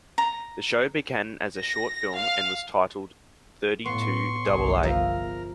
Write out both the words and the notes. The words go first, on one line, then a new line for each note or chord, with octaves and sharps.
The show began as a short film and was titled "Thirty-Two Double A".
A#5
A#6
F5
A2 B3 C6 C#6
G1 C2 G#4
F3 A#4 C5 E5